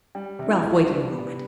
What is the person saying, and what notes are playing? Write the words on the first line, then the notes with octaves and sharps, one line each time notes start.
Ralph waited a moment.
G3
C3
D4
E4
C2
G3 D4
B3